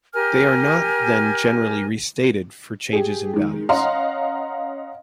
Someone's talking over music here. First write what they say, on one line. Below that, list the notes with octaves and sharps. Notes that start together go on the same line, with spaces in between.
They are not then generally restated for changes in values.
G4 A#4 G#5 F6
G4 G#4
D#3 G#3
C#4 D#5 F5 F#5 A#5 C6